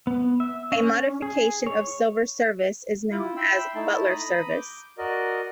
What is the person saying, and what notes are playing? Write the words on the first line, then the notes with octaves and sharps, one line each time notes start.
A modification of silver service is known as butler service.
B3
E5
C#4
G#4
C#5
E4 F4
E5 G5 B5 C6 E6
A3 D#4 E4 A5
A#5 B5 D#6
D6 G6
F#4 A#4 D5 D#5